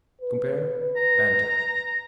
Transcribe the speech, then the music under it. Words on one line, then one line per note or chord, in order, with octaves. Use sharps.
Compare BANTER.
B4
A#5